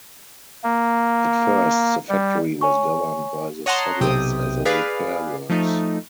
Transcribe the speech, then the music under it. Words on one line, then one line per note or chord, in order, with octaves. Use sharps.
At first, the factory was governed by the Soviets as a repair works.
A#3
G3
C#5 G#5 C#6
C#5 D#5 F#5 A5 A#5 C6
B1 C3 G5 D#6
G#4 B4 D5 F5
F3 A3 D#4